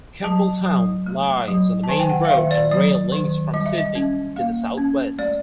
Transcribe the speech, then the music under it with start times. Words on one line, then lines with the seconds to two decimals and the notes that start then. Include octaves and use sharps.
Campbelltown lies on the main road and rail links from Sydney to the south-west.
0.24 F#3 A5
0.66 F#3
1.06 A3
1.48 F#3
1.83 A5
1.89 D#3 G#5
2.00 G5
2.10 F#5
2.25 F5
2.30 D#3 E5
2.51 D5
2.71 F#3 D5
3.12 D#3
3.54 G3 D#5
3.66 E5
3.78 D#5
3.95 C#4
4.36 A#3 F5
4.78 C#4
5.19 A3 D5